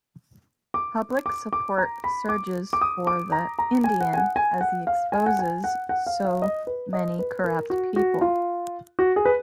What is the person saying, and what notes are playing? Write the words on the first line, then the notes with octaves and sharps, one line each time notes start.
Public support surges for the "Indian" as he exposes so many corrupt people.
D6
D6
D6
A#5
B5
D6
D6
D#6
D6
A#5
A#5
G#5
F#5
G#5
F#5
G#5
F#5
F5
G#5
F#5
G#5
F#5
F#5
F5
F5
D#5
B4
D#5
B4
A#4
F#4
F#4
F4
F#4
G#4
B4